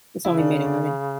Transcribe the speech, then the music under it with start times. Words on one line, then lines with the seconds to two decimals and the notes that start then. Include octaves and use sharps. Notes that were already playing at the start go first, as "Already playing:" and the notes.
There's only men and women.
0.24 C#3 E4
0.39 D4
0.52 C#4
0.66 D4